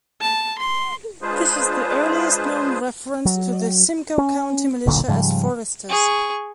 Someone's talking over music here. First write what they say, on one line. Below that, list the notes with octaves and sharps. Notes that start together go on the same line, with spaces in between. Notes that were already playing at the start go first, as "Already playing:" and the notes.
This is the earliest known reference to the Simcoe County militia as Foresters.
A5
C6
G#3 D4 F4 G#4 B4 C5
F#3
C#4
D#1 B1 A#2 D3
G#2 C#3 F3 G3
G#4 C#6